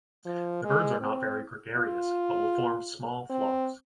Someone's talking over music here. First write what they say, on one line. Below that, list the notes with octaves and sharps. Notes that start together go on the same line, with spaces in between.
The birds are not very gregarious, but will form small flocks.
F3
G#3
C4
F4
C4